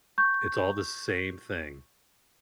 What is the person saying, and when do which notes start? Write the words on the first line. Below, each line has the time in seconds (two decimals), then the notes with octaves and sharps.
It's all the same thing.
0.18 C#6 G6